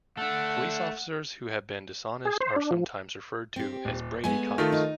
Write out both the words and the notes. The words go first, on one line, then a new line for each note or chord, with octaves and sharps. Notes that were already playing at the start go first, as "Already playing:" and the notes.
Police officers who have been dishonest are sometimes referred to as "Brady cops".
A3 D4 A4 F#5
G#4
C5
D4
F3
C4 G4
D#1
G#3 A3 B3 G#5
D#3 A3 F4
D#4